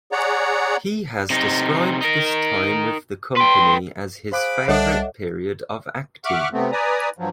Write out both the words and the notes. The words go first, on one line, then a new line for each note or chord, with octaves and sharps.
He has described this time with the company as his favorite period of acting.
G#4 C#5 D5 F#5 A#5
C3 D#4
D#4 A#4
B4 G5 C6
G#4 C5 F5 B5 D6 F#6
C2 G3 D4 A4 C#5 D#5 E5 F#5
E5 F#5 C#6 D6 F6 F#6
C3 A3 B3 C4
B4 D5 G#5 A#5 D#6
G2 F3 F#3